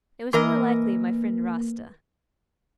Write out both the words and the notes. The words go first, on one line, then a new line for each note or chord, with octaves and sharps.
It was more likely my friend Rasta.
E3 A#3 A#4 D#5